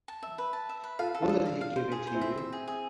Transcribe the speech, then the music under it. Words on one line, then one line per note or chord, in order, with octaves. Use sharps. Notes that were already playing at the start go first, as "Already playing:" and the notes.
Wouldn't he give it to you?
A5
E5
B4
A5
E5
B4
F4 A4 F5
A4
D4 F4
A4
F5
F5
C5
G#4
C5
C4 E4
E5
E5
G#4
G#4